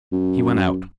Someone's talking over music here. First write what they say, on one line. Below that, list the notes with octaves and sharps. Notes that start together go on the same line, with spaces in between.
He went out.
F#2